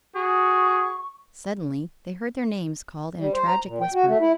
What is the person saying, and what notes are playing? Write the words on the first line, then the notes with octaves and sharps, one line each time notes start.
Suddenly they heard their names called in a tragic whisper!
F#4 G#4 C#6
G3
C5
A#5
A#2
G5
F#4
A3
E4